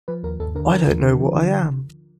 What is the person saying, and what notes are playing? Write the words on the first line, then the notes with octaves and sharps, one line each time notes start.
I don't know what I am.
F3 B4
D#2 A#4
D#2 A4
D3 A#4
F3 A#4
D#2
D3
F3
D3